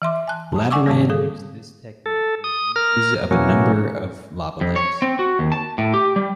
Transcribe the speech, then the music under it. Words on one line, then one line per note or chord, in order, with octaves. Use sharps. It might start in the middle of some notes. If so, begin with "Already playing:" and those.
Lavarand used this technique with images of a number of lava lamps.
E3 E5 C6 D6
G#5 A5 F#6
A5 D#6
D5 F#5 G#5 C#6 D6 E6
G#2 C3 D#3 G3 A#3
D3 G3 G#4 A4
A4
D#6
A#4 F6
B2 E3 F#3 A#3 C#4
F2
C#5
C4
F#4
D#2
A5
A2
G4
G3